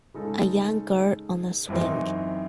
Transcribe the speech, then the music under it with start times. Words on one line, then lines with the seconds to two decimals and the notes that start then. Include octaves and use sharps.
A young girl on a swing.
0.14 C#3 G#3 D#4 A4
1.69 F#2 E3 C4 D#4